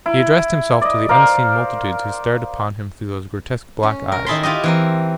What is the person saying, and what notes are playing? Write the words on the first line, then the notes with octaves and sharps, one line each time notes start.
He addressed himself to the unseen multitudes who stared upon him through those grotesque black eyes.
E4
D5 D#5
A#4 C5 D5 F5
C#4
A#4
D#3 E4 G#4 A5 B5 C6
E4 F4 G4 D#5
E3 C4 A#4